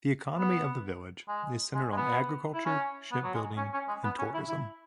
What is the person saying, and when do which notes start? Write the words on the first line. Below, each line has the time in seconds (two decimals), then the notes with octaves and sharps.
The economy of the village is centered on agriculture, ship building, and tourism.
0.37 B3
1.28 G#3
1.74 G#3
1.91 G#3
1.97 B3
2.54 E4
2.66 C#4
3.11 B3
3.24 F#3
3.34 G#3
3.57 C#4
3.73 C#4
3.88 G#3
4.04 B3
4.18 C#4
4.34 E4
4.49 E4